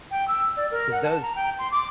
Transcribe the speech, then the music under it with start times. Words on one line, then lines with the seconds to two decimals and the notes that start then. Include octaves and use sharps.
'Cause those
0.11 G5
0.28 E6
0.57 D5
0.71 A#4
0.92 F#5
1.04 A5
1.22 A#5
1.36 G5
1.59 C6
1.72 D6